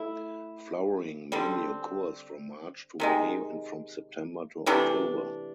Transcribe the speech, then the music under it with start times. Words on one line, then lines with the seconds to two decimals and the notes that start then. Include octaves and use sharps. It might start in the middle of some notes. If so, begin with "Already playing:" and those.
Flowering mainly occurs from March to May and from September to October.
Already playing: A3 E4
1.32 D3 G3 C4
3.00 C3 D#3 G#3
4.66 C3 E3 A3 D4